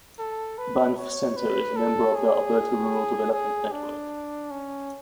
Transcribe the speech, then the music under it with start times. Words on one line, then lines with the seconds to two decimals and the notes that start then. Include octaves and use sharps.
Banff Centre is a member of the Alberta Rural Development Network.
0.19 A4
0.58 B4
0.98 C#5
1.37 B4
1.76 A4
2.15 G#4
3.32 G#4
3.72 D4
4.51 C#4